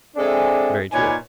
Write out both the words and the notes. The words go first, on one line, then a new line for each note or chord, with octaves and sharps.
Very true.
G#3 C4 D4 A4 E5 G#5
A#2 D#4 B4 C#5 D5 G#5